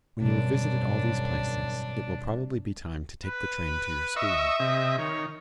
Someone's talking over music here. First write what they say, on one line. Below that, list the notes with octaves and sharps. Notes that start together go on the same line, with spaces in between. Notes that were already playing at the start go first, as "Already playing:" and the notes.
When you have visited all these places, it will probably be time to take the train to your school.
G#1 F#2 B2 G3 D4
B4
D#5 E5 C#6 E6
C3 D#5
D#3 C#5